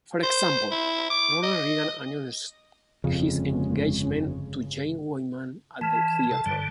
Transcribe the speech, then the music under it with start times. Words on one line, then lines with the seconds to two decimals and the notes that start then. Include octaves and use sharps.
For example, Ronald Reagan announced his engagement to Jane Wyman at the theater.
0.23 C5
0.72 E4
1.10 D6
1.43 D#5
3.04 G1 F2 C#3 G#3 C#4
5.81 E3 A5 F6
6.31 C3 A4
6.46 G2 D3 G3